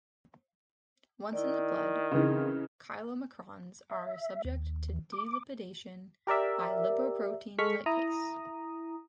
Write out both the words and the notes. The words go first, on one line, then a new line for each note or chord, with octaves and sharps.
Once in the blood, chylomicrons are subject to delipidation by lipoprotein lipase.
D#3 E4 D5
C#3 E3 C4 D#4 G#4
E5
D#2
D6
G4 A#4 D5 E5
G#3 A4 C#6 F6 B6
E4 A#5 D#6